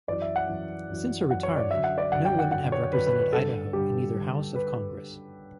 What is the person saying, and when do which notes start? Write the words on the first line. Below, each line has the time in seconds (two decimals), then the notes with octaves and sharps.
Since her retirement, no women have represented Idaho in either house of Congress.
0.08 F#2 E3 D5
0.22 E5
0.36 F#5
0.49 F#2 E3
0.89 F#2 E3
1.30 F#2 E3 F#5
1.43 C#5
1.57 D5
1.71 F#2 D3 E5
1.84 F#5
1.98 D5
2.12 F#2 D3 F#5
2.25 G5
2.39 F#5
2.52 F#2 D3 F#5
2.72 C#5
2.92 F#2 D3 B4
3.06 B4
3.19 B4
3.33 G2 D3 A4
3.73 G2 D3 G4
4.14 G2 D3
4.56 B4